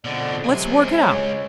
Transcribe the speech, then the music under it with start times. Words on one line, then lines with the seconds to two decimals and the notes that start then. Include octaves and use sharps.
Let's work it out.
0.05 F2 B2 D3 D5
0.45 C#2 C3 F#3 G#5
1.00 C#5